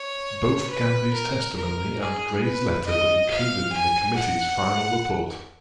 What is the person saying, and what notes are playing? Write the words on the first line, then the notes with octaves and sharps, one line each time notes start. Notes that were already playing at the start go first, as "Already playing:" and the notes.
Both Gandy's testimony and Gray's letter were included in the committee's final report.
Already playing: C#5
B4
A#4
A#4
G#4
B4
D#5
F5
G#5
F#5